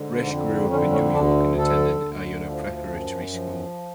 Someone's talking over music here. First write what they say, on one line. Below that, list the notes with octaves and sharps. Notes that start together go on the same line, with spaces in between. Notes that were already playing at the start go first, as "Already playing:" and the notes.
Resh grew up in New York and attended Iona Preparatory School.
Already playing: G#2 D3
F2
D3 C#4
C#4
D2 D4
D3 A4
D2
F3
F#2
F3